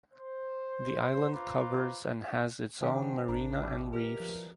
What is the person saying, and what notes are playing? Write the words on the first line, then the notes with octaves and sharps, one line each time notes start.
The island covers and has its own marina and reefs.
C5
F4 B4 C5 A#5 D6
F#2 D#3 D4 G4 C5
A1 D4 A#4
B2 E3 G3
G4 A#4
F3